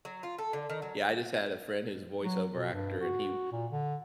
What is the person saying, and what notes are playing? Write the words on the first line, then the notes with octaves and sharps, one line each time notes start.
Yeah, I just had a friend who's a voiceover actor, and he
F#3
F4
A4
D3
D#3
F#3
F#3
B2
G2
F#4
A#2
D3